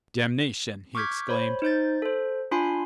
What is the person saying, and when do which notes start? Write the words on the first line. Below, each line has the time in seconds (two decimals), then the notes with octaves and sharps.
"Damnation!" he exclaimed.
0.95 C#6 D6 F6 G6 G#6 B6
1.29 C5 C#5 B5
1.62 D#4 C5 G6 A6
2.02 A4 C5
2.51 D4 F4 G#5 B5 C6 C7